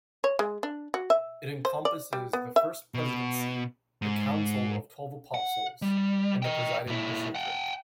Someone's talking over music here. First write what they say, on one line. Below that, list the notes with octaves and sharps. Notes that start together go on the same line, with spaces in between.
It encompasses the First Presidency, the Council of Twelve Apostles, and the Presiding Bishopric.
C#5
G#3
D4
F#4
E5
C5
D5
G3
B3
E5
B2
G#2
F#5
G3
D#5 G5
A#2 E4
F#5 G5